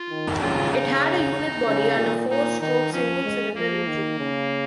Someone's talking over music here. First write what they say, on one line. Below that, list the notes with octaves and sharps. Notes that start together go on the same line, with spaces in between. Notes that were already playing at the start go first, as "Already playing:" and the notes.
It had a unit body and a four-stroke single-cylinder engine.
Already playing: F4
D#3
C#3 F4
D#4
C#3
A#2
A#2 D#4
D#3 D#4
F3 C#4
G#3
F3 A#3
D#3
C#3